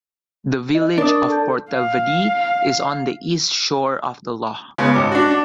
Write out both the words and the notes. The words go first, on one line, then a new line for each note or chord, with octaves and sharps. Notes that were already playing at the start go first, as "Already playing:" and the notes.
The village of Portavadie is on the east shore of the loch.
D#5
D4 A#4 D#6
C#6
A4 A5 G6
F5
C#3 G#3 B3
G#1 C#4 D6
D4 F#4
D4